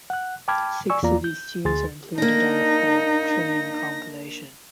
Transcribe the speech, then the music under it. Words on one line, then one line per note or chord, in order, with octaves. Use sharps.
Six of these tunes are included on the "For Trane" compilation.
F#5 F#6
G5 A5 B5 D6 F6 G#6
D5 G#5 C#6 E6
E2 A#3 F4 D5 A#5
G6
D2 G#4 C6 A6
A#3 D4 D#4 A#6